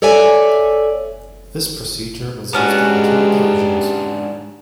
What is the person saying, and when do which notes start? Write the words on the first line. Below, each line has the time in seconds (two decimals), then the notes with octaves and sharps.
This procedure was used on two occasions.
0.02 A4 C#5 D5 E5 G#5
2.53 G#2 G#3 B3 C#4 D4 F#4 G4